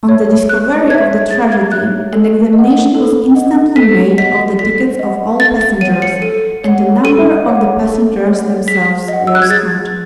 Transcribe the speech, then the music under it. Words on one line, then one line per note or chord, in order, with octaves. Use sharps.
On the discovery of the tragedy an examination was instantly made of the tickets of all passengers, and the number of the passengers themselves was counted.
C#5 E5
G#4 F#6
C#5 E5 G#6
G#4 A6
G#6
C#5 E5 F#6
A4
D#5
F#5
A4
D#5 F#5
A4 B6
D#5 F#5 B6
A4 B6
D#5 F#5
A4 A6
A6
C#5 F#5 D#7
C#7
A4 D#7
C#5 F#5
A4 D#7
C#5 F#5
A4
C#5
F#5
G#4 B6
D#5 F#5
E6
F#6
G#6
G#4 A6